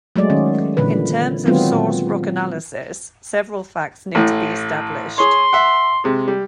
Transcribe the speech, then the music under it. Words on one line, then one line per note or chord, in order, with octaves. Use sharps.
In terms of source rock analysis, several facts need to be established.
F#3 G#3 A3 D5
D#3 C#4
A#2 D3 E3 B4
D#3 F#3 G#3 B3 C4 F4
A#2
A1 A2
G#4 C#5 C6
E5 F#5
C3 G#3
G3